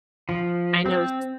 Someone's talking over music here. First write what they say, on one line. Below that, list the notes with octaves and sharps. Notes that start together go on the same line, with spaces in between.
I know s
F3
C4